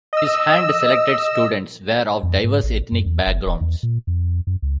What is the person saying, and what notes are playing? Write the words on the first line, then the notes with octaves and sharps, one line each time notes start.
His hand-selected students were of diverse ethnic backgrounds.
D#5 E6
F2
G#2
A1
F#2
E2
F#1
D1
E2
A#2
F2
F#2
C#2